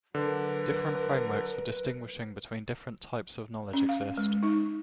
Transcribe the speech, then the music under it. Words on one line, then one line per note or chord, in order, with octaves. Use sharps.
Different frameworks for distinguishing between different 'types of' knowledge exist.
D3 F#3 A#4 B4
C#4
F5
G#3
D#4